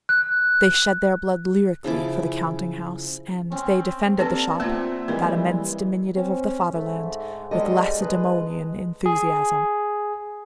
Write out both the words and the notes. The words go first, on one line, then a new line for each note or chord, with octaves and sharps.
They shed their blood lyrically for the counting-house; and they defended the shop, that immense diminutive of the fatherland, with Lacedaemonian enthusiasm.
F#6
C#3 F3 E4 D6
C4 C#4
A#3 C4 D4 G4 A4 B4
A3 A#3 C4 F4 E5 F#5 E6
E3 G3 G#3 A#3 C4 A#4 F5
C4 C#4
G#2 A3
G3 G#3 A4 D#5
G#3 B4
G#4